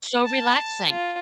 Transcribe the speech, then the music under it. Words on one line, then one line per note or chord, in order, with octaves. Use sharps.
so relaxing.
A5
F4